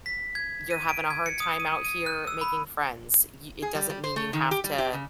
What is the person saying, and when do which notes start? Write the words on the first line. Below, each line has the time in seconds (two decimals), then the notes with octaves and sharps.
you're having a hard time out here making friends, y it doesn't mean you have to,
0.06 B6
0.35 G#6
0.71 D#7
0.89 D7
1.10 G#6
1.26 C#7
1.40 D#6
1.60 D#7
1.85 D#7
2.06 F#6
2.27 E6
2.41 B5
3.62 G#4
3.75 G3
3.89 G3
4.04 C5
4.16 A3
4.33 D#3
4.51 G4
4.64 G3
4.78 G4
4.93 C#3